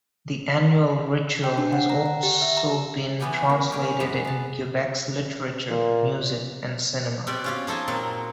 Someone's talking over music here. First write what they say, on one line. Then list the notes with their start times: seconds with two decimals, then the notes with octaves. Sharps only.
The annual ritual has also been translated in Quebec's literature, music and cinema.
1.44 G5
1.58 D4
1.73 F#5
1.90 A#5
2.06 F#5
2.23 G4
2.42 E5
2.57 A#5
3.20 E3 G3 B3 C#4 G4 C#5
3.49 A#3
3.71 A#3 C#4 G4
4.00 F#2 C3 F#3 G#3 B3
4.25 B3 A5
5.70 A#2
7.27 B2 C4 G4 D5
7.44 C#4 F4 G4
7.67 F3 D#4 A4 G#5 A5
7.88 A#2 F#3 C4